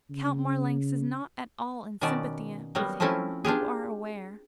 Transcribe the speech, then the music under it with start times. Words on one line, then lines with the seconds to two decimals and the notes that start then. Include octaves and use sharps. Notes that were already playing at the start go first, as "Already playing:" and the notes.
Count Marlanx is not at all in sympathy with him, you are aware.
0.10 C#3
2.01 B2 D#3 B3 C#4 D5 A5
2.75 F#3 G3 A#3 B3
3.00 F3 A3 C4 C#4 E4 F4
3.45 D4 F4 G4 G#4